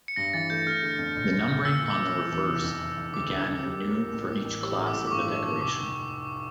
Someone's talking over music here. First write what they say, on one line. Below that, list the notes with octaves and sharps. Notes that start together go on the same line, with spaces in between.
The numbering on the reverse began anew for each class of the decoration.
C#7
G2 A#6
E3 A6
A3 G6
A3 F6
D3
F2
A#1
A#1
A#2
A#2 E6
A#2 E6
D6
F3
E3
E2
F1
F2
E3
F2
D2 D6
E1
E1
G3
A#3
A#3
A1
A1
A1
G3 E6
A2
D6
A2
D6
G2 C#6
F3
F3
F1 D6